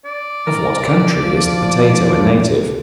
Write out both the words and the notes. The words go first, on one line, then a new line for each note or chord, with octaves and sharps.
Of what country is the Potato a native?
D5
A#4
F3